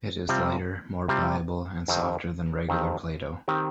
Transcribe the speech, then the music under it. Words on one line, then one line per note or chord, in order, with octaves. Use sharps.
It is lighter, more pliable, and softer than regular Play-Doh.
C3 G3 C4 F4
C3 G3 C4 F4
F2 D#3 C4 G4
F2 D#3 C4 G4
D#3 C4 G4